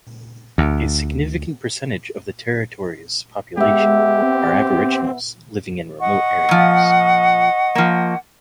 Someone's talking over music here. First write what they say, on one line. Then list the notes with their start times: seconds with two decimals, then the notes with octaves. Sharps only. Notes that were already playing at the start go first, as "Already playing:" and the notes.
A significant percentage of the Territory's population are Aboriginals living in remote areas.
0.58 D2
3.57 G#3 B3 G4 E5
4.23 C4
6.00 D#5 F#5 C#6
6.49 A#2 F3
7.75 F3 A#3